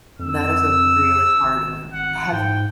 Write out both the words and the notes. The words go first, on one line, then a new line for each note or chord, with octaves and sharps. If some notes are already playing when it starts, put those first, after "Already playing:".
That is a really hard one, have
F2 E6
G#1
G#1 F#5
G#2 G5